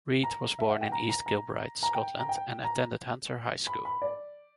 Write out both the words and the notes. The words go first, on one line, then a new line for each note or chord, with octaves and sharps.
Reid was born in East Kilbride, Scotland and attended Hunter High School.
A#5
E5
F#5
G5
A#5
A#5
A#5
A#5
G5
A#5
G5
A#5
B5
B5
D5